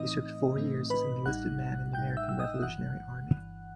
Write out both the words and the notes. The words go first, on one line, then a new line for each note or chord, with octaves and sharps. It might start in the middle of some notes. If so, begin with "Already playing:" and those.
He served four years as an enlisted man in the American Revolutionary Army.
Already playing: A2 E3 A3 C4 D#4 D#5 D#6
A2 E3 A3 C4 D#4
B4 B5
A1 A2 G3 D#4 F#5 F#6
A1 A2 G3 D#4 G5 G6
E5 E6
E6
D#5 D#6
G1 G2 E3 F#5 F#6
G1 G2 E3